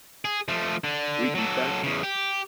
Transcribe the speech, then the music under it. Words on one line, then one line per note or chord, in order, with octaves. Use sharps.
We eat that?
G#4
F3 A3
D3
F#3 A4
E2 C#3
G4